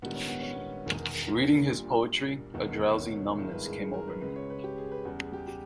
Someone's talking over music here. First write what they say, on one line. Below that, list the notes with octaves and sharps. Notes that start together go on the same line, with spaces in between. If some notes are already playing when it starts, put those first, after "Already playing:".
Reading his poetry, a drowsy numbness came over me.
A#1 G#2 D#3 G3 B3
C#4
B3
C#4
B3
E1 E2 D#3 B3
A#3
A#1 A#2 G3
E1 D#2 D#3 B3
C#4
G#1 G2 D#3 G#3 E4
B4
G#4
G#4
A#4
B4
C#2 C#3 G#3 B4
C#5
B4
G4
G#4
B4
E2 C#3 G3
G#4
G4
G4